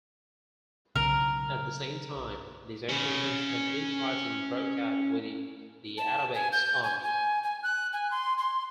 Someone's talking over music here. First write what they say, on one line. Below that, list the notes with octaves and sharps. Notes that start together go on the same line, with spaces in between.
At the same time, disagreements and infighting broke out within the Atabeg's army.
B1 C#3 A#4
C#4 B5
A5
G#5
G6
G#5
G#5
G#5
F#6
G#5
C6
C6